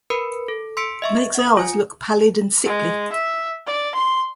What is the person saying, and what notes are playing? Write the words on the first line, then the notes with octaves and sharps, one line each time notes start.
It makes ours look pallid and sickly.
A#4 B4 B5 C#7
A4
C6 E6 B6 C#7 D7
D#5 E5 C#6
F#5 D#6
F4 G#5
G#3
E5
D5
C6